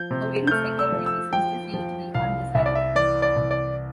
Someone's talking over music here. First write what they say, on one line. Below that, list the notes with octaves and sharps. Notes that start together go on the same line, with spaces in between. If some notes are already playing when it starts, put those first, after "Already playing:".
For various security reasons this used to be undesirable.
Already playing: F3 G6
C3
G6
A3 F6
E6
F3
E6
F3 G5
F3
C2 F5
C2 E5
D5
E5
E3 D5
D5
C2
D5